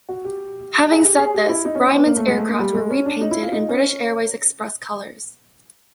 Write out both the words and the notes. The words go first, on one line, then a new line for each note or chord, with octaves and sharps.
Having said this, Brymon's Aircraft were repainted in British Airways Express colours.
F#4
G4
G#4
G4
G#4
G4
E4
D#4
C#4
C#4
B3
A#3
A3
G#3
A3
A#3
G3
G#3
C#4
D4
D#4
E4
F4
D#4
C#4